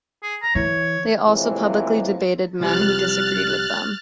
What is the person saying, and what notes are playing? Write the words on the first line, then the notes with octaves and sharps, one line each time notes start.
They also publicly debated men who disagreed with them.
G#4
A#5
E3 C#5
A2 C3 E3 F3 G#3 A#3
C2 F3 G3 F6 F#6 A6